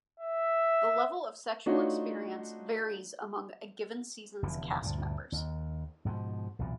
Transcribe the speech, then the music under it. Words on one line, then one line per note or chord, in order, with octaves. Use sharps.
The level of sexual experience varies among a given season's cast members.
E5
A3 D4 D#4 F4 F#4 C#5
F1 E2 D3
D2 G2 A#2
D#2
G#2 B2 D3 F3
B1 E2 A#2